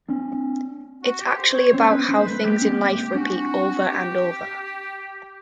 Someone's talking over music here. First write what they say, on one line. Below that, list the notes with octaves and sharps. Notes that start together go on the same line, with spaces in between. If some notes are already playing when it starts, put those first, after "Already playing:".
It's actually about how things in life repeat over and over.
C4 D4
F#4
G4
C5
C#5
B3 C#4 C5
B3 C#4 B4
B3 C#4 C5
A#3
G3 A3 B4
G#3 A#3 G4
C#4
A#3 C4
G#3 A#3
C4 D4 F#4
G4